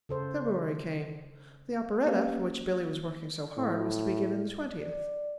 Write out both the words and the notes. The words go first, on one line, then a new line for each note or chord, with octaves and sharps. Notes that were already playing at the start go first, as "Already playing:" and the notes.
February came The operetta, for which Billy was working so hard, was to be given the twentieth.
C#3 A4 C5
A#3 C#4 G4 B4 F5
A2
D5